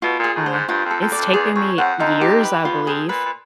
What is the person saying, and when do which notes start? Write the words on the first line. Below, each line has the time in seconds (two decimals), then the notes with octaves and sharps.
Uh, it's taken me years, I believe.
0.02 B2 F4
0.19 A#2 G#4
0.36 A2
0.46 C5
0.52 G#2
0.69 G2 F4
0.85 F2
0.91 A4
1.01 F2
1.12 D5
1.18 F2
1.33 E2 G#4
1.56 F2 C#5
1.78 F2 F#5
1.99 F2 D#4
2.21 G4
2.44 B4
2.65 E2 F4
2.87 F2 G#4
3.09 A#2 B4
3.25 A#2